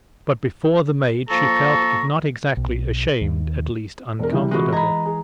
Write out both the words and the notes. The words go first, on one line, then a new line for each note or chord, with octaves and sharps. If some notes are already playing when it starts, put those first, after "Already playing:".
But before the maid she felt, if not exactly ashamed, at least uncomfortable.
F3 A#3 A4 A#5 C#6
B1
D#2
E1 A#4
C3 E3 G3
C3 E3 G#3 F4 F#4
D#5 A#5 B5 G#6
G#4